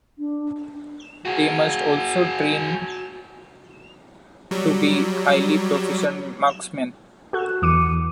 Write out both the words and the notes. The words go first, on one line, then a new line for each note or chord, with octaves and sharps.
They must also train to be highly proficient marksmen.
D4
F#4 G#4
F#3 G3
F#4 A4 F#6
E2 E3 D6 C#7 D#7